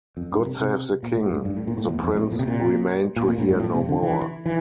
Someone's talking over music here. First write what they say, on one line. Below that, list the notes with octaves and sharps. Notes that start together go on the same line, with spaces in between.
God save the king! The prince remained to hear no more.
F2
G2
C3
C3
A#2
A2
G2
G2
A2
A#2
A2
E2
F2
A2
A#2
C3
A#2
A#2
A#2
A2
G2
A2
C3
D3
E3
E3